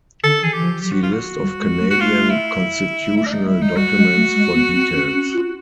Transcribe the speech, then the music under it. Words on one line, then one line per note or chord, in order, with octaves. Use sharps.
See list of Canadian constitutional documents for details.
D3 A4
E3 G#4
E3 G4
F3
F#3 G4
F#4
F4
F#4
G3
G#3
A3
F#4
A3 F4
E4
G#3
A3 E4
D4
G#3 D#4
G3 E4
G#3 D#4
G3 F#4
G#3
A3
G#3
B3
C4
C#4
C#4
F4